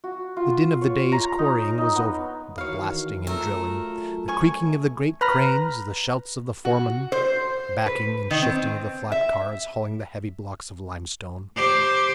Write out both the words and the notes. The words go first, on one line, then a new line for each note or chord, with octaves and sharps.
The din of the day's quarrying was over--the blasting and drilling, the creaking of the great cranes, the shouts of the foremen, the backing and shifting of the flat-cars hauling the heavy blocks of limestone.
F#4
F4
C#5
A#5
D#4
D#4
B3
D#3 E3 F#4 C#5 F5
F#3 A3 F4 A#4
C#4 G#5 C#6
B4 A#5 B5 F6 A#6
F#4
C5
B4
D#3
C4
E5
G4 C5